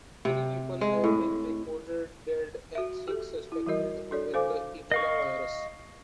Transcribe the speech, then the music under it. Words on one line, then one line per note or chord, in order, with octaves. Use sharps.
Three people have been reported dead and six suspected with the Ebola virus.
C3
G#3
A2
F#4 E5
G4 A4
E4
E3 G3 F#4 A#4 D#5
D4 F#4 A4 C#5 D5
A4 C5 F5 G#5 D6
D#5 F5 C#6